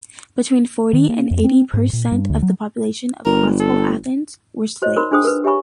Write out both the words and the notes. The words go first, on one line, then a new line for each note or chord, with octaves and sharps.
Between forty and eighty per cent of the population of Classical Athens were slaves.
D#3
A#3
F2
C4
G#2
A#2
G2
D2
F#3
G1 A#4
A4
F#4 C5 C#5 D#5
D#4 A#4 C5 B5 C6
D4 F4 G#4 C5 G5 D#6
A#4 B4
G4 C#5 E5 G#5 B5 C#6